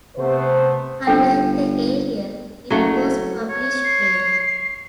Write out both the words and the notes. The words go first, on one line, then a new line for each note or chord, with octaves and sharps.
Unlike the "Ariel", it was published daily.
C3 A3 B3 C5
G1 D4 A4 G5
F#1 F#3 A3
C#5
C7